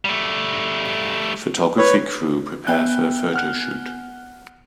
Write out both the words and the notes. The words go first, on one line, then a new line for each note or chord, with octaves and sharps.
Photography crew prepare for a photo shoot.
G3 A3
B4 C#5
B3 E5 G5 G#5 F#6 G7
F#5 F6 F#6